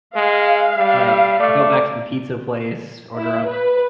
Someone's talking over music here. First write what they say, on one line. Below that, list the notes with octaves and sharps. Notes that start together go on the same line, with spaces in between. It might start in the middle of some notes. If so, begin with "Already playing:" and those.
Right, go back to the pizza place, order up D
G#3 F5
G3
A3 D5
E4
B4